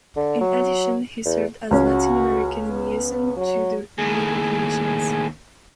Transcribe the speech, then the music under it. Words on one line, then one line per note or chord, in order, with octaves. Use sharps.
In addition, he served as Latin American Liaison to the League of Nations.
D3
F#3
E2
C#2 C#4 F#4
B3
F#3
D#2 A2 G#4